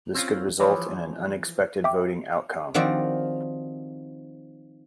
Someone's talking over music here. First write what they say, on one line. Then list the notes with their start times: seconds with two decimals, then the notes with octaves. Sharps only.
This could result in an unexpected voting outcome.
0.14 C4 C#4 F4
0.60 E3 F3 C#5 B5 C6
1.84 E5 G5 D6
2.74 D#3 F3 C4 F#4 D5